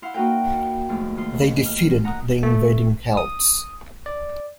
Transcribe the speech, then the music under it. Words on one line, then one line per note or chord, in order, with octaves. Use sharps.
They defeated the invading Celts.
E4 F5 F#5 C6
A#3 D#4 F#4 A#4 B4 G5
D#2 G#2 F3 A3
D#3 F4 C6
F6
F#5 A#5 D#6 F#6
A3
D#6
D5